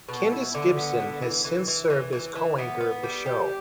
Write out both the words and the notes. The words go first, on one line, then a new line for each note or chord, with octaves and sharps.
Kendis Gibson has since served as co-anchor of the show.
B2
E4
D3
B3
D3
E3
E3
E3
E3
E3
E3
B3
B3
G3
G4